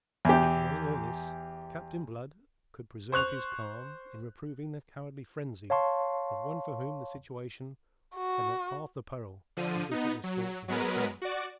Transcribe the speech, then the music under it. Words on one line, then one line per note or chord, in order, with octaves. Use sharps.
Yet, knowing all this, Captain Blood could preserve his calm in reproving the cowardly frenzy of one for whom the situation had not half the peril with which it was fraught for himself.
E2 G4
C5 C#6 F#6 F7
C#5 F5 A5 C6 C#6
F#4
D3 F3 D#7
B3 D#4
F#3
F#3 G#3 B3 A#4 B4
F#4 D5